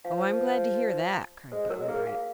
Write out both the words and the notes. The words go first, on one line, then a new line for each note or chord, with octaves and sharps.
"Oh, I'm glad to hear that!" cried Button-Bright.
F3 F5
G#3 C5
F#3 A#4
G#3
A#3 G#4
F5